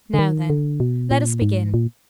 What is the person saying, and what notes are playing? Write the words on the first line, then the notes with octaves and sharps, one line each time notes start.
Now then, let us begin.
D3
D#3
D3
B2
A#2
G#2
A#2